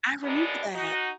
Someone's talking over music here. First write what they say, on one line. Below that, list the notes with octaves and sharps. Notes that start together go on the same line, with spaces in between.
I remember that.
F#2 A#2 G3 B3 D4 D#4
D#4 F#4